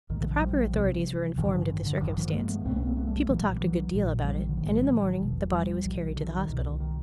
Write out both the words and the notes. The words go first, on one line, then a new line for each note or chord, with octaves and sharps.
The proper authorities were informed of the circumstance, people talked a good deal about it, and in the morning the body was carried to the hospital.
A#1 G#2 D#3
D3 E3
D#3 F3
F3 G3
C#2 C3
A1 G2 D3 D#3 F3
D3
D#3
D3
A1 G2 D3 D#3
D#3 F3
G#3 A#3
A3 B3
C2 B2 A#3 C4
B3 C#4
A#3 C4
A3 B3
G3 A3
B1 A#2 E3 F#3
G3
E3 F#3
A#1 A#2
F3 G3
D#3
D3
A1 A2 D#3
G#3
G3
F#3
D#3 F3
E1 E2 B2
F3 G3
B1 B2
D3
D#3
D#3
C2 B2
D#3